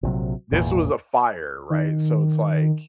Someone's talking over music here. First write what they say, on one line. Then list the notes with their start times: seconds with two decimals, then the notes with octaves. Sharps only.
This was a fire, right? So it's like,
0.03 A#1 C3 F#3
0.51 G#1 E2 A#2
1.70 D#3